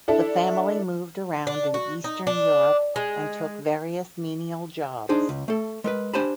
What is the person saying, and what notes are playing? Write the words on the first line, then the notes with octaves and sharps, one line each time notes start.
The family moved around in eastern Europe and took various menial jobs.
D4 E4 A4
D4
F#4
D#4
D4
G#3
D4 D#4 G#4 C5
C#2
A3 A4
G#3 A#4 B4
D4 G4 C5 G#5 A5 B5